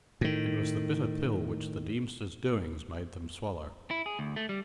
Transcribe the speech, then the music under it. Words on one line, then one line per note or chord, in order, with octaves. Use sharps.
It was the bitter pill which the Deemster's doings made them swallow.
A2 D#3
E4
G#4
D2
A3
G3